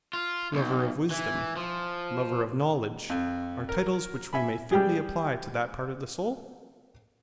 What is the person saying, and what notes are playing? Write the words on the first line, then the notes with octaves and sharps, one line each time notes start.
'Lover of wisdom,' 'lover of knowledge,' are titles which we may fitly apply to that part of the soul?
F4
B1
E3
F3
F2
A#4
E5 G#5 B5
G3 G4 G#4